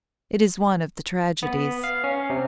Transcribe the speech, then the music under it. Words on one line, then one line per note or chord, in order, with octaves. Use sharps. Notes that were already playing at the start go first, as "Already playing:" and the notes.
It is one of the tragedies.
B3
F5
C#4
C3